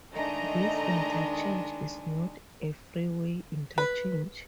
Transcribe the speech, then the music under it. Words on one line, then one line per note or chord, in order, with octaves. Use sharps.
This interchange is not a freeway interchange.
D#3 G#3 A3 D4 D#5 A#5
B4